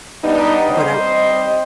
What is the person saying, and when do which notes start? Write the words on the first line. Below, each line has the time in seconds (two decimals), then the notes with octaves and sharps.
but, I
0.23 G3 B3 D4 D#4
0.70 G3 C4 C5 D#5